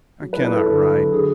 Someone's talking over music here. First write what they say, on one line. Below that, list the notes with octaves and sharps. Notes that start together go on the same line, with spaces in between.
I cannot write.
F#3
B4
E4
B4
E4 A4
D3 A4
F#3
F#3
D3 G#4